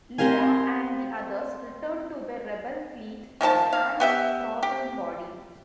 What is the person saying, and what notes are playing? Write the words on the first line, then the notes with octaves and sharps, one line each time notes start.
Leia and the others return to the Rebel fleet with Han's frozen body.
C4 C#4 G4 A#4 F5 G#5
D#3 F3 G4 A5
F5
B3 G4 E5
G4